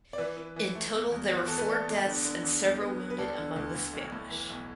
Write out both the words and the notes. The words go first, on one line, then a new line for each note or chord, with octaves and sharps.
In total there were four deaths and several wounded among the Spanish.
D5
E3 B4 E5
E3
E3
A3
E2
E2
E3
F#4
E2 A4
B4
A3 A4 D5
E2
D3
D3
E2
E2
B3
B3
B4
D2 A4 D5
D3
D2
D2
B1
A2
E3
B1